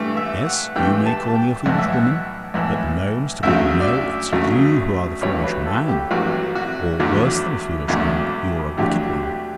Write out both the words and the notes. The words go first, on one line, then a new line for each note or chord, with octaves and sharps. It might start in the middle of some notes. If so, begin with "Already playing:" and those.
Yes, you may call me a foolish woman; but no, Mr. Caudle, no; it's you who are the foolish man; or worse than a foolish man; you're a wicked one.
Already playing: G2 E3 A3
E5
F#5
G2 E3 A3 G5
A5
A5
G5
B1 A2 E3 F#5
E5
F#5
B1 A2 E3
D2 C#3 F#3 A3 E5
D5
E5
D2 C#3 F#3 A3
A1 G2 F#3 A3 C#5
B4
A4
G4
A1 G2 F#3 A3 F#4
F#4
E2 D3 F#3 A3
E2 D3 F#3 A3
D2 D3 F#3 A3 G4
G4